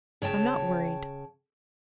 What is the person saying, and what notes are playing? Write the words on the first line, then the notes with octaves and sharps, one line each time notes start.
"I'm not worried."
C#3 C#5 G5 A5